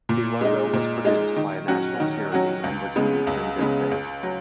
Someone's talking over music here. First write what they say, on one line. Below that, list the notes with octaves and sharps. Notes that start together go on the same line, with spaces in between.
The logo was produced by a national charity and was used in good faith.
A#2
G#3 D#4
A#2
G#3 D#4
D#3
F#3 C#4 F#4
D#3
F#3 C#4 F#4
C#2
C#3 G#3 B3
C#2
C#3 G#3 B3
C#2
F#3